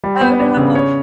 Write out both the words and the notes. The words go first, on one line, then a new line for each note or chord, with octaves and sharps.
Oh, no.
G3
B3
D4
C#3
C#5